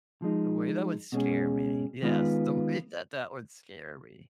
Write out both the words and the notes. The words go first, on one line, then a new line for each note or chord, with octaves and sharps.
The way that would scare me, yes, the way that that would scare me.
F3 G#3 D#4
B2 G#3 C#4 G#4
D#3 G#3 B3 F4 B4